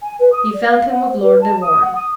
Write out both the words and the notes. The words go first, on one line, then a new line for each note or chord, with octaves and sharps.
He found him with Lord de Warenne.
G#5
B4
D#6
D5
F5
F#5
C5
B4
A5
D#6
F#5
D#6